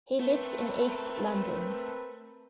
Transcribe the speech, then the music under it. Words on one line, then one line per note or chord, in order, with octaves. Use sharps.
He lives in east London.
A3 C4 A#4 B4